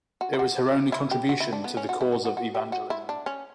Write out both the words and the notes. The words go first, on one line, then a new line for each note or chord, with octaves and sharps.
It was her only contribution to the cause of evangelism.
F#4
E4
F#4
E4
G4
F#4
E4
D4
B3
C#4
F#4
E4
F#4
F#4
F#4
G4
F#4
E4
D4
C#4